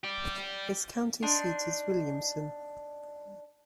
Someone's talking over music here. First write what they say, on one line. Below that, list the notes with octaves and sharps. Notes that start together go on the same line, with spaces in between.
Its county seat is Williamson.
G4 D5
D4 D#4 C6